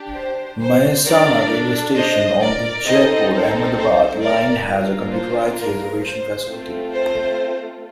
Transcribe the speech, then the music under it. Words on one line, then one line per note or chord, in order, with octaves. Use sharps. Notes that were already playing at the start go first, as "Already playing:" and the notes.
Mahesana railway station, on the Jaipur-Ahmedabad line, has a computerised reservation facility.
Already playing: D4 G4
C5
C5
D4 A4 A#4 D5
C5 D#5
A#4 D5
C4 D#4 A4 C5 D#5
C5
C5
A#4 D5
A#3 D4 F4 A#4
C5
A#4
C5
A3 C4 F4 A4
C5